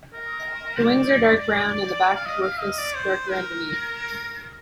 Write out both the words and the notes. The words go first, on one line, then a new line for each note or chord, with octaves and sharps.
The wings are dark brown and the back rufous, darker underneath.
A#4
C5
D5
F5
D#5
F5
D#5
D5
C5
A#4